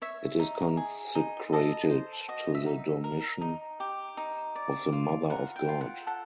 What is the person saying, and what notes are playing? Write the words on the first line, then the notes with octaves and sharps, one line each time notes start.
It is consecrated to the Dormition of the Mother of God.
C#5 E5
D#4
G#4
D#4
A4 D#5
C5
F#4 D#5
E5
D#4
A#4
D#4
G4
D#4
D5
F4
A#4 F#5
G5
F4
F#5
A4 F#5